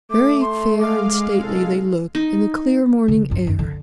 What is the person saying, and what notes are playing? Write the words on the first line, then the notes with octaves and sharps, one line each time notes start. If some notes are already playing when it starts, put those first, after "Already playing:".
Very fair and stately they looked in the clear morning air.
A3 D6
C6
G#3 F5 D6
C2 A4
D#4
D3
F#2 F4
F#2
D3